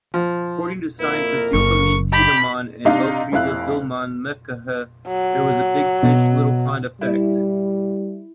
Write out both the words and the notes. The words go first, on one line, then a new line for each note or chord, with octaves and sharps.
According to scientists Joachim Tiedemann and Elfriede Billmann-Mahecha, there was a big-fish-little-pond effect.
F3
F2 A#3 E4 A#4
F#1 C#6
G4 B5
C3 D4 D#4 F5
F1 F2 E4 F5 F#6
F#3
B2
G3 E4